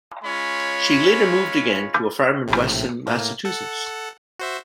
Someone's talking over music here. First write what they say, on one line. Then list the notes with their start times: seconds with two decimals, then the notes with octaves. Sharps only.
She later moved again to a farm in Weston, Massachusetts.
0.24 G#3 C#4 F4 C#5 B5
2.47 A#1 A2 C3
3.06 A2 A#3
3.45 A4 F#5
4.39 F#4 C5 E5